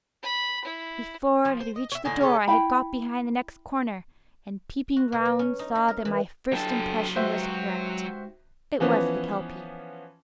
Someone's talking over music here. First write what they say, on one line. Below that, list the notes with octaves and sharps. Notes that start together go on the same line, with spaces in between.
Before it had reached the door I had got behind the next corner, and peeping round saw that my first impression was correct: it was the Kelpie.
B5
E4
F3
C5
D#5
C#5 E5
A2 D3 D#4 G#5
C#3 C#4 D#4 A4
E4 G5 B5
F#4
B2
F#3
C#4
D#4
D#4
A#4
E3
D3 F#3 G4 A4 A5
G#2 F#4 G4 C5 E5
E3 F3 B3 C#4